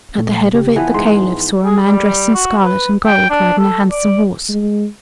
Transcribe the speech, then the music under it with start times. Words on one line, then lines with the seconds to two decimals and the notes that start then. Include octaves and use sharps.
At the head of it the Caliph saw a man dressed in scarlet and gold, riding a handsome horse.
0.18 A#2 A3
0.54 C#3 G4
0.76 E3 F3 B3
0.94 G#2 C6
1.64 G#4
1.86 G3
2.34 F#4
2.62 B4
3.05 G5
3.30 D4
3.58 A4
3.90 D5
4.49 G#3